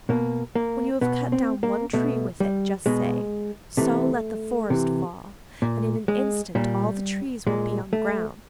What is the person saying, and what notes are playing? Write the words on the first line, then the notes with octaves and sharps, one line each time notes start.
When you have cut down one tree with it just say: "So let the forest fall," and in an instant all the trees will be on the ground.
B2 A#3
A#3
B2 B3
C4
A#3
B2 A3
G3
B2 G#3
C3 E3 A3
C3 E3
A#2
G#3
A#2 G3
A#2 G#3
A3